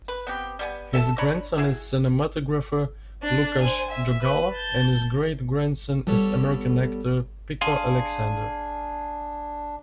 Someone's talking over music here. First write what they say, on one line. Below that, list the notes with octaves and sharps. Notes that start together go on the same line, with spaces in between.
His grandson is cinematographer Lukasz Jogalla and his great-grandson is American actor Pico Alexander.
B4
B3 C4 G4
G3 B3 G#5
A4 E5 G#5 A5
D4 C#5 A#5 B5
E4 F#4 G#4
D4
C5 G#5
E5
B4
A5 G6
G3 B3 A4 C#5
D4 G#4 F5 C6